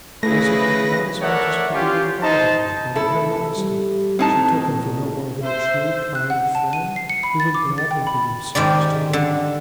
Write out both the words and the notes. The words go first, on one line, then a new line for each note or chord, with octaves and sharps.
Was it not as much as could be required of her, that, in her modesty, she took him for no more than a true, kind friend, who would gladly be of service to her?
C#3 A3 E4 G#4 B4 A#6
A4 A#4 C#5 D5 E5 F#5
C#4 F4 G4
D#4 C5 A5
F1 E4 A4
G3
A2 C4 D#4 A5
A#2
C5 E5
F#6
F#5
A5
D#7
C7
C#7
B5
A6
D6
A6
G5
B5
G#2 D#3 G4 D5
D3